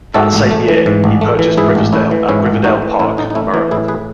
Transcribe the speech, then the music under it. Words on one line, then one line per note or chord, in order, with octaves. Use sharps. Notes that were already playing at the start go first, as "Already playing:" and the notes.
That same year, he purchased Riversdale at Riverdale Park, Maryland.
G#2 F#4 A4
A1
A3
E3
G#2
A1
A3
E3
G#2 E4 G#4
A1
A3 C#4 E4
E3
G#2 C#4 E4
A1
A3 D#4 F#4
E3
A2 C#4 E4
A1 D#4
D#4
A3 C#4 E4
E3 D#4 F#4
A2 E4 G#4
G#4 B4